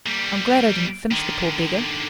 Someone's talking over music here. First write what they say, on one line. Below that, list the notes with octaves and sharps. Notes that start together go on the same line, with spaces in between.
I'm glad I didn't finish the poor beggar.
G3 A#3
D3 D#3